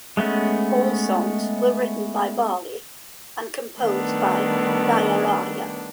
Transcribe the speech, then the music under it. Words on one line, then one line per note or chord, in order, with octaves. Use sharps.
All songs were written by Vaali and composed by Ilaiyaraaja.
G#3 A3 B3 C#4
D#3 G3 A3 B3 D4